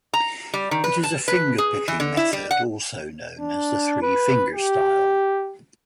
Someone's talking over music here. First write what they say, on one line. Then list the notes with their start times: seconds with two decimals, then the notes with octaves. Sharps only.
It is a fingerpicking method, also known as three-finger style.
0.14 A#5
0.54 G3
0.71 D#3
0.84 B4
1.03 A5
1.28 B4
1.58 G#4
1.88 E3
2.00 D3
2.17 E4
2.33 G3
2.51 F#5
3.40 D4
4.02 B4
4.55 G4